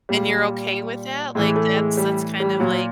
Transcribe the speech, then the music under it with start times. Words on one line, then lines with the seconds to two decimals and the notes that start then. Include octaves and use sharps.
And you're okay with that? Like, that's that's kind of like
0.09 A#2 G3
1.35 A2 E3 G#3
1.56 A3
1.76 G#3
1.97 G3
2.40 G3
2.60 A#2 F#3